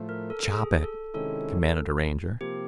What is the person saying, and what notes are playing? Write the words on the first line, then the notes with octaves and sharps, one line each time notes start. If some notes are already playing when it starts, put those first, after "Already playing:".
"Chop it!" commanded a Ranger.
Already playing: A2 F3 A3
A#4
A4
G#4
A4
C3 D#3 G#3 C#4 E4 A4
C3 F3 A#3 G4